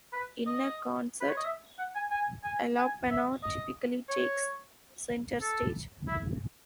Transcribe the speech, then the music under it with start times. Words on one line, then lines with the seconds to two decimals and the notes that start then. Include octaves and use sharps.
In a concert, alapana typically takes center stage.
0.12 B4
0.46 D#5
1.20 B4
1.28 C#5
1.37 D#5
1.45 E5
1.78 F#5
1.95 G#5
2.10 G#5
2.43 G#5
2.77 G#5
3.10 E5
3.43 D#5
4.09 C#5
5.41 A4
6.08 E4